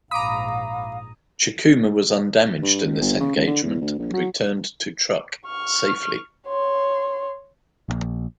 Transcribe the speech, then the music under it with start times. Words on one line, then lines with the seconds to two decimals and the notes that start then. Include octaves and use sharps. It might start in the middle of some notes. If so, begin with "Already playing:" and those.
"Chikuma" was undamaged in this engagement, and returned to Truk safely.
0.11 A#1 G#2 F5 A#5 B5 D6 D#6
2.63 G2
2.84 C#2
3.00 G1
3.20 C#3
3.36 C#2
3.47 D3
3.63 E2
3.81 D2
3.98 A#1
4.13 F#3
5.46 C#6 F6
6.48 C#5 C6
7.89 A#1